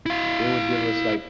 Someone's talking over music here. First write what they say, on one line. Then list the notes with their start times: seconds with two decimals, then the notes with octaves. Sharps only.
they would give us, like,
0.06 E4 F5